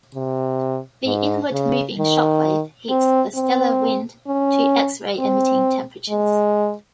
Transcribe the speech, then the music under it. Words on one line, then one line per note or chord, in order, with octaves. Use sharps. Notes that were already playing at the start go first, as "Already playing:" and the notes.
The inward moving shock wave heats the stellar wind to X-ray-emitting temperatures.
C3
G#2
C#3
D#3
C4
C4
C#4
C4
G#3